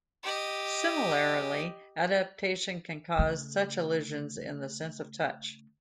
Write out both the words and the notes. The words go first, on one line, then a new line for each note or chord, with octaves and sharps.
Similarly, adaptation can cause such illusions in the sense of touch.
G4 D#5
C#3 A3